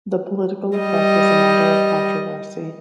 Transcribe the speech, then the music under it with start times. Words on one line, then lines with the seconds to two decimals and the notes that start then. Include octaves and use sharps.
The political effect is a matter of controversy.
0.78 G3 D#5